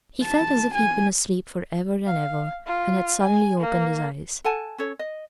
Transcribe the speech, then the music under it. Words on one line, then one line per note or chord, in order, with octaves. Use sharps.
He felt as if he'd been asleep for ever and ever and had suddenly opened his eyes.
A5
G#5
F5
F4
G#5
A#3
A4 F#5 G#5 A5
C#4 A4 C#5
D#5